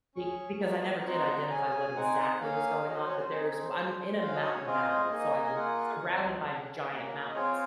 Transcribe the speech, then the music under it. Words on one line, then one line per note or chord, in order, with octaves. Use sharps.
be because I never did identify what exactly was going on- but there's w I'm in a mountain valley, so I'm surrounded by giant mountains.
C#4 G#4 C#6
A#3 D#4 G#4
C4 D#4 F#4 A#5
C#4 G#4 G#5
C4 D#4 G#4 F#5
G#5
F#5
A#3 C#4 G#4 F5
C#4 F#4 D#5
C5
C#5
C5
C4 D#4 G#4
C#4 G#4
C#4 F#4 F5
D#5
C#5
C4 F4 G#4 D#5
F5
D#5
A#3 D#4 G#4
G#5
A#3 F4 G#4 F#5
C4 D#4 F#4 F#5
C#4 G#4
A#3 C#4 F#4
D#5
C4 F4 G#4 C#5